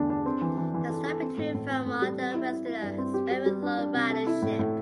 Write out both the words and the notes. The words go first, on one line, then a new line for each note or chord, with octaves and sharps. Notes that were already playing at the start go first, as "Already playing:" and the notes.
The stub between Vermont and Western has very low ridership.
Already playing: E2 D3 A3 D4
D4
C4
E3
E3
E3
A4
A4
C4
A2
A2
C4
A2
G3
C4
E4
E4
E4
G2
C4
G4
G3
G3
D4
D4
C3
A4
E4
A2
A2